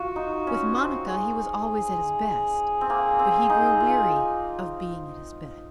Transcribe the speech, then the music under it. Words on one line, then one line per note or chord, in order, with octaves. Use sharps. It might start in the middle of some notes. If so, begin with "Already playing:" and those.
With Monica he was always at his best, but he grew weary of being at his best.
Already playing: F4 F#4
D#4
C#4
C4
G#4
C4
A#3 G#4
C4
D#4
F4